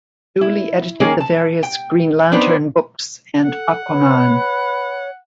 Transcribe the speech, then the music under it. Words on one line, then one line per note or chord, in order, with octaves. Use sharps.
Dooley edited the various "Green Lantern" books and "Aquaman".
E4
D#3 A#3 C#4 D#4 G#4 A#4
A5
G5
B3 C4 D4 D#4 B4 C5
A4 F#5
B4 C#5